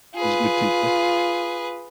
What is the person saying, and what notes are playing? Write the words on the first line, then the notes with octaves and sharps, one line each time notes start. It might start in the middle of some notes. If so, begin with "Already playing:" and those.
He's a good teacher.
F4 G#4 B4